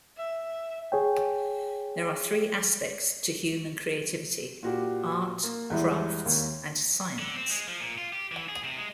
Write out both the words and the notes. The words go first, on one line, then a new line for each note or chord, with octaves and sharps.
There are three aspects to human creativity - Art, Crafts, and Science.
E5
G#4 C#5 G5
A#2 F#4 G4
A#3
E2 G3 G#3 E4
D#2 A#3
D3
C4
G#3
F3
A#2
F4
G4
E3
G#4
C3
G#3